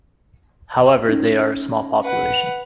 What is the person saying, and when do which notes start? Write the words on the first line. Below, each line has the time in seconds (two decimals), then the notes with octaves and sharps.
However, they are a small population.
1.08 C#4 D#4
2.03 B4 F#5